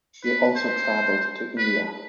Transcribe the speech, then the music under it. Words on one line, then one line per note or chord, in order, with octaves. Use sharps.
She also traveled to India.
B4
C5
B4